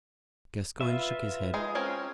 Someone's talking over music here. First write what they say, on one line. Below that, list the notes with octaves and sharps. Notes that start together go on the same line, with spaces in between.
Gascoyne shook his head.
F4 B4 E5
G#3 D#4
C4 C#4 A#4